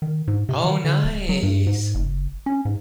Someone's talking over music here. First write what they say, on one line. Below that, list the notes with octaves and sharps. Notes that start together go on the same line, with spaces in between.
Oh, nice.
D#3
G#2
C3
D#3
D3
D1
F#3
G2
G#2
F#1
C#4
G#2